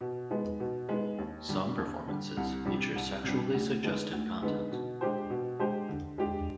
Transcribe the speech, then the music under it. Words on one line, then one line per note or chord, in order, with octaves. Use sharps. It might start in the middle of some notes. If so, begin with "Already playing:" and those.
Some performances feature sexually suggestive content.
B2
G#3 B3 D#4
B2
G#3 B3 D#4
D#2
D3 G3
D#2
D3 G3
C2
C3 G3 D4
C2
C3 G3 D4
D2
D3 G#3 B3 D#4
D2
D3 G#3 B3 D#4
B2
G#3 D4 G4 C5
B2
G#3 D4 G4 C5
D3
G#3 D4 G4